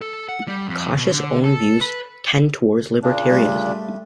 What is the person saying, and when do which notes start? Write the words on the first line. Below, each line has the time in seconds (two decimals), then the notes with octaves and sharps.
Cosh's own views tend towards libertarianism.
0.01 A4
0.29 F#5
0.47 G3
0.67 F2
0.96 B2
1.11 D3
1.44 A4
1.81 B4
3.03 A#2 C#3 D4
3.30 G3 A3